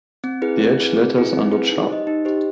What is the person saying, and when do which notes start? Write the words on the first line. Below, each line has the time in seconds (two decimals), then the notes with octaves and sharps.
The edge letters are not sharp.
0.24 C4
0.42 E4 G#4 B4
0.60 C4
0.78 E4 G#4 B4
0.96 C4
1.15 E4 G#4 B4
1.33 C4
1.51 E4 G#4 B4
1.71 D#4
1.89 G4 C5 D#5
2.07 D#4
2.25 G4 C5 D#5